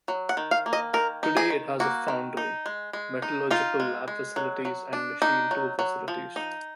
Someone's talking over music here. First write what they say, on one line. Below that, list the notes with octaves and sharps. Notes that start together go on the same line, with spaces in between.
Today it has a foundry, metallurgical lab facilities, and machine tool facilities.
F#3
F#5
D#3
F5
A#3
D#5
D#3 A#4
D#4
G#4
D#3
A#3 F#4
D#3
D#4
G#3
G#3
D#4
D#4 F4
G#3
G#3
F#3
F#3
D4
D4 D#4
F#3
F#3
F3
D#4